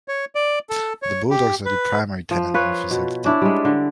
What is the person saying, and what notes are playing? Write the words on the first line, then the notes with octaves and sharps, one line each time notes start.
The Bulldogs are the primary tenant in the facility.
C#5
D5
A4
C#5
G4
B4
F3
F4 B4 C#5
B2
C#4 D4 E4
G3 G#3
D3